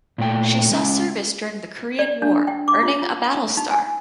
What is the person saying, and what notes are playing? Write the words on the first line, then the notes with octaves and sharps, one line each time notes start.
She saw service during the Korean War, earning a battle star.
A#2 A3 G5
G#3 C#4
D5
D4
G5
D6
F4
F4
D#4
G#5